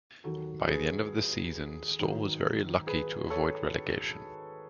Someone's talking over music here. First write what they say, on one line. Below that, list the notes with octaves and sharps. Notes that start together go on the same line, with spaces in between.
By the end of the season, Stal was very lucky to avoid relegation.
D#2 D#3 F#3 F#4 A4
G#4 B4
G#2 D#3 F#3
G#4 B4
A4 C#5